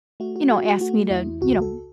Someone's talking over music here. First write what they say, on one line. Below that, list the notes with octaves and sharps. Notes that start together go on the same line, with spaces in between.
you know, ask me to, you know,
A3 F#4
F#4
A3 F#4
F#4
A3 F#4
E2 E4
C#2 F#4
A4